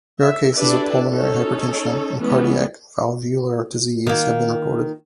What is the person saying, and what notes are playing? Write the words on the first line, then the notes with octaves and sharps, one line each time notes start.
Rare cases of pulmonary hypertension and cardiac valvular disease have been reported.
E5
D4 E4 G4 A4 B4 D5
C#4 D#4 A4 C#5
E3 G#3 A3 B3 C#4
D#3 A#3